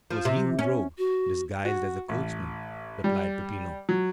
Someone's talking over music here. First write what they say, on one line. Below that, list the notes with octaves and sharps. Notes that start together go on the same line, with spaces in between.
"It was he who drove, disguised as the coachman," replied Peppino.
F3
C3
C#4
F#4
F#4
A1
G3
F#3